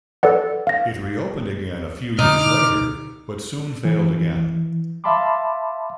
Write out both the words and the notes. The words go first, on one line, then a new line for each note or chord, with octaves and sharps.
It reopened again a few years later but soon failed again.
A4 B4 D5 F#5
F5 A#6
B2 D3 D#4 D6 F6
E3
E5 F5 A5 B5 C6 D6